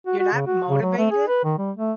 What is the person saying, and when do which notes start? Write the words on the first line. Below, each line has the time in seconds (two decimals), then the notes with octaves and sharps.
you're not motivated?
0.06 F#4
0.19 F#4
0.33 C#3
0.47 F#4
0.69 C#3
0.82 F#3
0.98 A3
1.11 G#4
1.28 B4
1.44 D#3
1.58 G3
1.77 A3